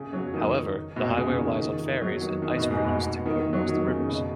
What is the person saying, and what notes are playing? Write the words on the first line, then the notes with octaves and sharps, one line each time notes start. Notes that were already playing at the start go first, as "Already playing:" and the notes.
However, the highway relies on ferries and ice bridges to get across the rivers.
Already playing: C#3
F#3
D#3
B2
C#3
D#3
D#3
D#3
F#3
D#3
D#3
B2
G#2
B2
D#3
D#3
F#3
D#3
C#3
B2